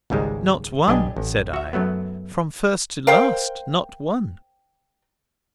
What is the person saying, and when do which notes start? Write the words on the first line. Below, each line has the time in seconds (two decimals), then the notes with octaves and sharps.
"Not one," said I. "From first to last, not one."
0.10 G#1 C#2 G#2 G3 G#3
0.88 B1 D4 G4 D#5 G#5
1.17 A1
1.54 F#4 E5
1.73 F#2 F#3 A3 B3
3.07 A#4 C5 F5 G5